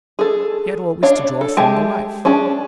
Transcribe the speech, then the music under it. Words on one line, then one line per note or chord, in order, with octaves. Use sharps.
He had always to draw from the life.
G#4 A4
D4 C#5 F5
A4
G#3 G4 G#4 E5 A5
C#4 D4 G#4 A5